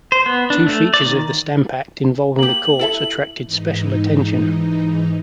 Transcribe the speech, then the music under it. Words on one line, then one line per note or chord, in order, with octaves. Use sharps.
Two features of the Stamp Act involving the courts attracted special attention.
C5
B3
D4
A3
D5
D#3
A#3 G4 F#7
E4 A4 E5
G#2 E3 D#4